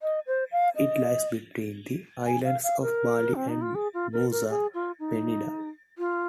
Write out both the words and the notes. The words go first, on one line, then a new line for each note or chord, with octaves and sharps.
It lies between the islands of Bali and Nusa Penida.
D#5
C5
F5
D#5
G#5
F5
F5
A#4
C4
D#4
F4
G#4
F4
A#4
A#4
G#4
F4
D#4
F4